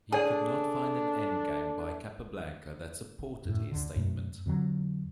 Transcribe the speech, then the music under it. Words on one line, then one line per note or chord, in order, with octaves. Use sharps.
He could not find an endgame by Capablanca that supported his statement.
D4 G#4 A4 D5 G#5 A5
F#2 A2
D2 D3
F#2 B2 A3
F2 D3 F3 F#3